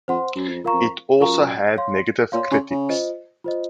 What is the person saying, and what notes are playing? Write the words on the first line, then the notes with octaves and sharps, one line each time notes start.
It also had negative critics.
F2 C5 F#5 C6
F#2
F2
F4 A#4 F5 A#5 C#6
F2
F#2 F4 A#4 F5 A#5 C#6
C#5 F5 C6
A#2 C#5 F5 C6
C#3
C#3
F4 C5 D#5
F4 C5 D#5